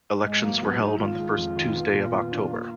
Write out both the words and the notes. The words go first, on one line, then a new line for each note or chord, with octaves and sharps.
Elections were held on the first Tuesday of October.
G#2 G#3
F#3 A#3
A#3
F#3 B3
G#2 D#4
D#3 F4
G#3
F2
D#3
B3
A#2
B3
D4
A#3